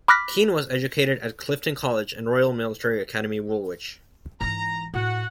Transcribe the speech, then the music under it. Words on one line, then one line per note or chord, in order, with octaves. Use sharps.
Keane was educated at Clifton College and Royal Military Academy Woolwich.
B5 D6 F6 F#6 A#6 B6
G#2 E3 A#5
A2 F#4 F#5